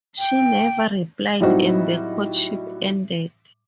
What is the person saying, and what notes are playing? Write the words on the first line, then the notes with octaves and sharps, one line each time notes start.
She never replied and the courtship ended.
G5
A2 F#3 G3 C4 D#4 F#4